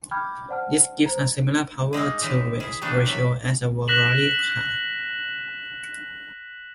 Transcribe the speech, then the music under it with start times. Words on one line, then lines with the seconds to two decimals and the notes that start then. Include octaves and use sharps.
This gives a similar power-to-weight ratio as a World Rally Car.
0.11 G5 B5 D6 F6 G6 G#6
0.48 C5 D5 F#5 A5 F6
1.06 C5 A#5
1.93 G#3 A#3 D#4 G#4
2.20 A2 D3 E3 D#4 E4
2.60 E4 G#4
2.82 C3 E3 A3 B3 D4
3.06 F#3 E5 G#5
3.88 F#6 A#6 B6 E7 F#7